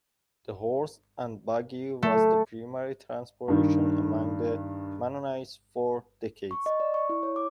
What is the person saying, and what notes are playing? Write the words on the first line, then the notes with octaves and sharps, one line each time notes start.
The horse and buggy was the primary transportation among the Mennonites for decades.
A3
G2 D#3
C#6
D#5
D5
C#6
E4
C#5
D6